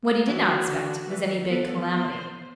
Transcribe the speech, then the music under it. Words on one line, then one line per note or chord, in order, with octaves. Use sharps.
What he did not expect was any big calamity.
E3 F#4
D3
E3
B3 A4
B3 C5